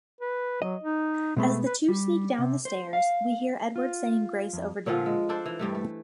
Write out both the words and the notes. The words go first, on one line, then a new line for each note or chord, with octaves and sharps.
As the two sneak down the stairs, we hear Edward saying grace over dinner.
B4
F#3 D#5
D#4
B2 G#3 A3 B3
B4
G3
C3
C5
F5
F4
F2
A#2 D3 F3 F4
G#3
D4 A4 C5 D5
E3
G2 G3 A3
A3